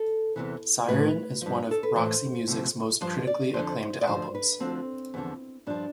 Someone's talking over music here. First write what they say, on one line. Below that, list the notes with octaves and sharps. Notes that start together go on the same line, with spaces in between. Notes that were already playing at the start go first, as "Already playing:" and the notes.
"Siren" is one of Roxy Music's most critically acclaimed albums.
Already playing: A4
E2 C3 E3
A2 F3 B4
G2 F3
A4
B4
A2 E3 C5
D2 C3 F3
G2 F3 C5
D5
F2 D3 F3 C5
D5
D2 D3 F3 C5
B4
D2 D3 F3 C4
E2 D3 F3
G2 F3 D4